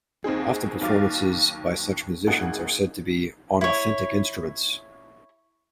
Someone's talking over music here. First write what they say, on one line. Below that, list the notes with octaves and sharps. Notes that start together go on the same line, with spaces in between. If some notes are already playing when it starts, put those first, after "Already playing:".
Often performances by such musicians are said to be "on authentic instruments".
D#2 C4 D#4 G#4
D#2 F#3 F5 D6 A6
G#1 A#3 D#4 G#4 F#5 F#6
E4 C#5